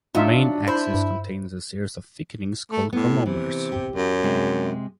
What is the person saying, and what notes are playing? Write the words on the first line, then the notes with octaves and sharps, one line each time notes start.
The main axis contains a series of thickenings called chromomeres.
F#3 D4 D#4 F4 E5
E4 C5
G2
A3
A2 B3
C3 E3
G4
F#2
C3 G#3